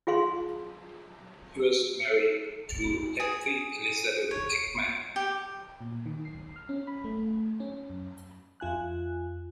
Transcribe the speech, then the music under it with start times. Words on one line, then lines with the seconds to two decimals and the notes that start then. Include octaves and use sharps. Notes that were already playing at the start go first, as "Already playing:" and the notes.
He was married to Hedvig Elisabeth Ekman.
0.07 F4 G#4 F5 C6
3.20 G#4
4.31 C#5
5.16 G4
5.81 A#2
6.06 D#3
6.25 C7
6.56 F6
6.69 C#4
6.87 B5
7.04 A3
7.60 C#4
7.90 F#2
8.60 F2 F4 G#5 F#6